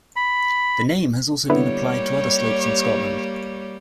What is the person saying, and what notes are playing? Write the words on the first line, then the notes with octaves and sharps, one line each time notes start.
The name has also been applied to other slopes in Scotland.
B5
D3 G3 A#3 B3 E4 G4 C#5